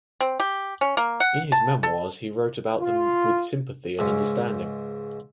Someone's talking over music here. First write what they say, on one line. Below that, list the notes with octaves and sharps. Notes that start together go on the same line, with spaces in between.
In his memoirs he wrote about them with sympathy and understanding.
C4
G4
C#4
A#3
F#5
A5
A4
F4
C#2 G#2 C#4